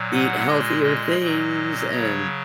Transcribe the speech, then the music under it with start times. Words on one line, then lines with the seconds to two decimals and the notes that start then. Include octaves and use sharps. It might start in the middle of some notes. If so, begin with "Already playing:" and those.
eat healthier things, and,
Already playing: A#2 F#3
0.11 F#5
0.46 A#2 G#3 D#5
0.83 D#5
1.18 A#2
1.23 F#3
1.90 C#3 F#3 C#5